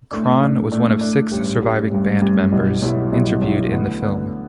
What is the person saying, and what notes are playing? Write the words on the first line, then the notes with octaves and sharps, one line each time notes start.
Cron was one of six surviving band members interviewed in the film.
A2 A3 D4
A2 A3 D4
A2 A3 D4
A2 A3 D4
A1 G2 G3
A1 G2 G3
A1 G2 G3
A1 G2 G3
B1 B2 G3 E4
B1 B2 G3 E4
B1 B2 G3 E4
B1 B2 G3 E4
D2 D3 B3
D2 D3 B3